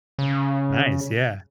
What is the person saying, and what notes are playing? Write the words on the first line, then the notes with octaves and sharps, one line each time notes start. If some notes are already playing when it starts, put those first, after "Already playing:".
Nice, yeah.
C#3